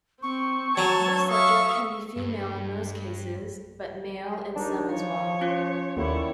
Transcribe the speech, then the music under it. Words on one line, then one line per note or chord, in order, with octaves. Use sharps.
This subject can be female in most cases, but male in some as well.
C4 C#6
F#3 A5 E6 G#6
E5 F5 C#6 D#6
G2
D#2 D4 D#4
F3 C#5
C#4 F4
D#2 D3 D#3 G3 E4 C#5